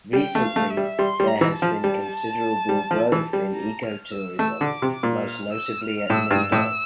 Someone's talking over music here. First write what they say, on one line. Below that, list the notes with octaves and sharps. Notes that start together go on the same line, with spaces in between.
Recently, there has been considerable growth in eco-tourism, most notably at Mindo.
G3 G5
A3
F5
A3
E5
G3
G3 C6
G3
A#5
E3
A5
F3
G3
G3
F3
E3
G3
A#5
F6
E6
A3 E6
D3
D6
C3
A#2
F6
E6
F6
A2 E6
G2
A2